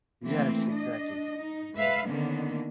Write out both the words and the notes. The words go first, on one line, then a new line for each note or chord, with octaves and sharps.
Yes, exactly, exactly.
E3 A3 A#3 C4
D4 D#5
D#4
G#3 B4 E5 F5
D3 D#3 A#3 B3 C#4